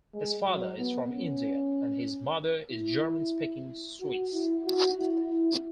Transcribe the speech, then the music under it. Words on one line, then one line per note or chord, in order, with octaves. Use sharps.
His father is from India and his mother is German-speaking Swiss.
G#3
F#3
B3
C#4
E4
F#4
E4
F#4
E4
E4